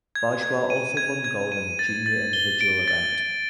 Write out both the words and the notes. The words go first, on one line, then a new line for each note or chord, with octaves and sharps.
Bajwa also won gold in the junior individual event.
G#6
G#6
D#7
G#6
G#6
D#7
A6
A6
G7
D7
A6
A6